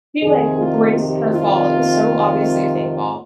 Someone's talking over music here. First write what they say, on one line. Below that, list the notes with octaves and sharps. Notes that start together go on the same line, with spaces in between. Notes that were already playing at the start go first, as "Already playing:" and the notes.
she like braced her fall, it was so obviously a fake fall.
F2 C3 D#3 G#4
F4
G4
F4